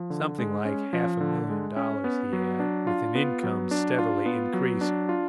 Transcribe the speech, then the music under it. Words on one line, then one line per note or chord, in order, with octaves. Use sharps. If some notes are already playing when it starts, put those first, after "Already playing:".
Something like half a million dollars he had, with an income steadily increasing.
Already playing: F3
D3
G#3
C#4
F3
D3
G#3
C#4
B3
F#3
D4
F4
B3
F#3
D4
F4
B3
F#3
D4
F4